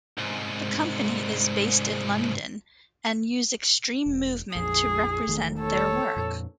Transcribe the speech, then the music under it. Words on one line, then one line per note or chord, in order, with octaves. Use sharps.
The company is based in London and use extreme movement to represent their work.
C2 G#2
E1
A#1 F2 G#4
E1 D#3 A3
A4 C#5
F2 A#2